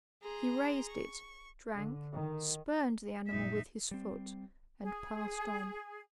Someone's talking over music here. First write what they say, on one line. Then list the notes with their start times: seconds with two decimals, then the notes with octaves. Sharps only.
He raised it, drank, spurned the animal with his foot, and passed on.
0.21 G#4 A#5 C6
0.89 C#6
1.75 D3
2.13 D#3
3.27 A#1 F#2 D#4 E5
3.91 G3 C4
4.83 G#4